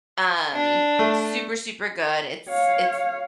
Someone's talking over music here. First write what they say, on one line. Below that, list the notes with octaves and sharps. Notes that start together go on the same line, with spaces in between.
Um, super, super good, it's it's
D4
A3
C#5 F5